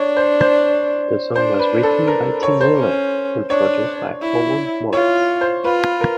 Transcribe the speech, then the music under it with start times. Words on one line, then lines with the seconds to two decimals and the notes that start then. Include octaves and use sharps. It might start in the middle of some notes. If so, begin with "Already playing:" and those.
The song was written by Tim Wheeler and produced by Owen Morris.
Already playing: D4 C#5
0.16 C5
0.41 C5
1.36 D4 C5
1.59 B4
1.83 A4
2.07 A#4
2.43 C#5
2.61 C5
2.78 C#4
3.50 D4 C#5
4.22 E4
4.93 F4 C#5
5.41 C5
5.64 F4 B4
6.01 A#4